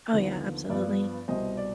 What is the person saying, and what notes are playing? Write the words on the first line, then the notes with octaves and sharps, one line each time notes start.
Oh, yeah, absolutely.
D#2 D3 F3 B3
G2 F3 B3 D5
C2 B2 G3 C5 D#5
D5